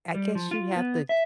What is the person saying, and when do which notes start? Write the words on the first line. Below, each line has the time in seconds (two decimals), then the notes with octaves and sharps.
I guess you have to
0.15 G3
0.35 F3
0.51 F4
0.76 B3
1.09 E5